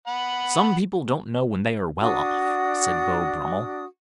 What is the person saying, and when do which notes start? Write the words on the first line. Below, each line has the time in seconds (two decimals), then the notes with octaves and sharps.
"Some people don't know when they are well off," said Beau Brummel.
0.07 F#5 B5
2.00 D4 F#4 D#6